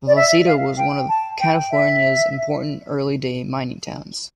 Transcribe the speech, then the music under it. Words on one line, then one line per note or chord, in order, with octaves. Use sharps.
Vallecito was one of California's important early-day mining towns.
D5
E5
F5
G5
A5
G5
E5